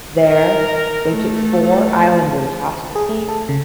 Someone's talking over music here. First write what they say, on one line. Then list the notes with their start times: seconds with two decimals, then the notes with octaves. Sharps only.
There, they took four islanders hostage.
0.25 A#4
1.10 A3
2.96 G#4
3.09 A3
3.29 A4
3.49 C#3